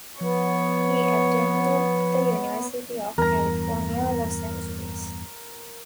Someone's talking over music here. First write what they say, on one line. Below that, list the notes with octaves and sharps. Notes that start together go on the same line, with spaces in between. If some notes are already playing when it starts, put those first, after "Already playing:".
He attended the University of California Los Angeles.
F3 B3 C#5
E2 G2 A#4 A#5